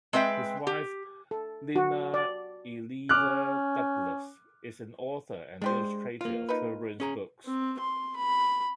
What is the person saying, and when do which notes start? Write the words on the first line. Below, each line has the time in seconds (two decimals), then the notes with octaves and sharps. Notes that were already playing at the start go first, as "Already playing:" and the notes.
His wife, Nina Ilieva Douglas, is an author and illustrator of children's books.
0.13 G#3 C4 B4 E5 G5
0.67 G4
1.31 A4
1.76 F#4
2.14 D5
3.09 C#4 D6 F6 F#6
5.62 G#3 D4 G4 C5
6.21 A#3 F4 F5
6.49 D#4 B4
7.00 C#4 G#4 A#5
7.46 C4
7.80 C6
8.16 B5